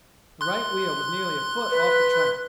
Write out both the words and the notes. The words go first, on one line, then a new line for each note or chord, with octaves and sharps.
The right wheel was nearly a foot off the track.
C6 F#6
B4